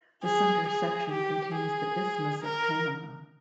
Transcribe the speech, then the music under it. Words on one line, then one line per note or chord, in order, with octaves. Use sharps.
The center section contains the Isthmus of Panama.
G#4
G#4
G4
G#4
A#4